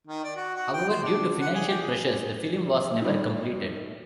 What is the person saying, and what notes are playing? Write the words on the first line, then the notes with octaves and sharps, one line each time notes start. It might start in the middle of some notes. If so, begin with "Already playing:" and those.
However, due to financial pressures, the film was never completed.
D#3
D5
F#4
F#4
G5
C5
D4
F#5
G#4
G4
G#4
A2 D#3 G3 A3